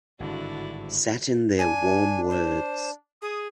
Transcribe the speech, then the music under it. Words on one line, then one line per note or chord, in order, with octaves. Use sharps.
Sat in their warm words.
G#1 G2 D3 E4 F#4
D4 G#5
C5
G#4 D#6